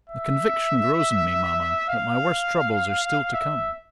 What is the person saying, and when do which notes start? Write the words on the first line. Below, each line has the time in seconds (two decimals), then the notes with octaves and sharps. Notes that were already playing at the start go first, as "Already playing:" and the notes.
The conviction grows on me, mama, that my worst troubles are still to come.
0.09 E5
1.89 F5
3.33 E5